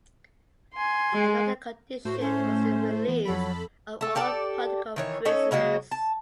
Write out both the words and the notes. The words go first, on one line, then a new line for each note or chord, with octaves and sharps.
Another condition was the release of all political prisoners.
G#5 C6
G#3
A2 A3 F#4 C5
C#4
E3 B3
F2 F#3 A4 B5
A3 A4
G4 A4 D5
D#3 E3 C#5
C#4 D#4 A4 C#5
C#3 G#3 A#3 F#4
A5